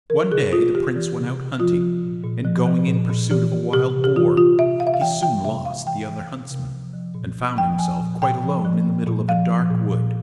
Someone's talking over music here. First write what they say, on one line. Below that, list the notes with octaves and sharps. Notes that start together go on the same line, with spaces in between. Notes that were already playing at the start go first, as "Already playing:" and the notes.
One day the Prince went out hunting, and going in pursuit of a wild boar he soon lost the other huntsmen, and found himself quite alone in the middle of a dark wood.
E3 A#4
C3 G#4
C3 F4
E3 G4
E3
C3
C3
F3 F4
F3
A#2
A#2
F3
F3
A#2
A#2
E3 G4
E3
C3 G4
C3
G4
E3 F4
E3 F4
C3 E5
C3 F5
E5
F5
E3 G5
E3 G5
C3 E5
C3 F5
E3 G5
E3
C3
C3
F3
F3
A#2
A#2
F3 G5
F3 G#5
A#2
A#2 G5
F3
F3
A#2
A#2
F3 F5
F3
A#2
A#2